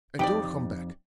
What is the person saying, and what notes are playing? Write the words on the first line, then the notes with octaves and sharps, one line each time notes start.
And don't come back.
F2 D#4 G4 D5 G5